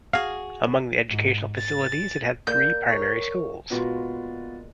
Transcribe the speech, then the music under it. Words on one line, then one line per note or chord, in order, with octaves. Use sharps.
Among the educational facilities it had three primary schools.
F#4 G#4 F5
G#2
A6
A#3 D5 G6
A#4 C#5
A#2 G#3 B3 F4 F#4